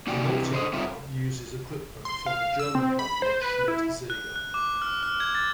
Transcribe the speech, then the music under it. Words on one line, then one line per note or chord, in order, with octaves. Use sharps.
The malting plant uses equipment from the German company Schmidt-Seeger.
A#3 D#4 F#4 D5 G5 G#5
C3 E3
D3 C5 D5 D#5
G3 C4 D#4 F4 E5
C6
F5
E6
C4
B5
C5
B4
E4
F#6
F#6
D6
F6
F6
G#6
A6